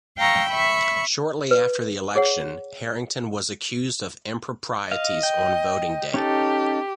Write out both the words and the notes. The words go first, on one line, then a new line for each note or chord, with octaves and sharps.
Shortly after the election, Harrington was accused of improprieties on voting day.
F5 G5 A#5 C#6 E6
E5 B5 C#6
B4
G#4 C#5 F#5
D#5 F5
G5
C#4 D#4 G4 A4